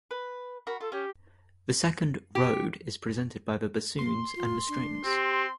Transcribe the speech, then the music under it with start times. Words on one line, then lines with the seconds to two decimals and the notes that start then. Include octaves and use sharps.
The second "road" is presented by the bassoon and the strings.
0.11 B4
0.67 F#4 A#4 B5
0.81 F4 A4
0.92 C#4 G4 C#5
2.35 G4
3.99 A#3 C6
4.36 F4
4.68 D4
5.05 C4 G4